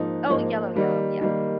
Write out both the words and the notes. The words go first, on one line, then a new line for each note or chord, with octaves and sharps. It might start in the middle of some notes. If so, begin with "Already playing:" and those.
Oh, yellow, yellow, yes.
Already playing: G#2 F3 A#3 D#4
G#2 F3 A#3 D#4
D#3 G3 A#3
D#3 G3 A#3